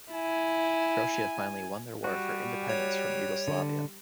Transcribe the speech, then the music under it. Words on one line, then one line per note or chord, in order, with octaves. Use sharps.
Croatia finally won their war for independence from Yugoslavia.
E4 G#5
G3 F#4
C#5
D3